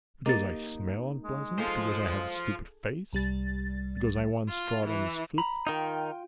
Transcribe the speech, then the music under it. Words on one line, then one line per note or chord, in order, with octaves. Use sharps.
Because I smell unpleasant, because I have a stupid face, because I once trod on his foot.
A#3 D#4 G4 A6
G#3
F4 G#4 A4 C5
C2 G3 A6
F4
E3
A#5 B5
D#3 D#4 F4 G5